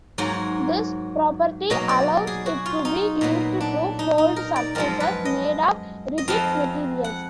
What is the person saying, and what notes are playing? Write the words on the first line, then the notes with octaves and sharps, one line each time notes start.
This property allows it to be used to fold surfaces made of rigid materials.
G#2 F#3 A#3 G#5
B2 F#3 A#3 D#5
D5
G#4
F#4
F4
D#4
A#2 F#3 A#3 B3
D4
D#4
D#4
A#4
D5
F#2 F3 G#3 A#4
B4
D#5
D#5
F2 F3 G#3 F5
F#5